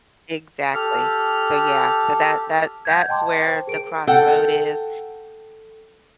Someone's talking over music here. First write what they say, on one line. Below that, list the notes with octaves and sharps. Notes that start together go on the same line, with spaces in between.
Exactly. So yeah, so that that that's where the crossroad is,
G4 A4 F6
F#5 G6 G#6
D#5 G5 A5 C6 D6
C5 G5
G#4 A#4 D7
A4 F#5 G5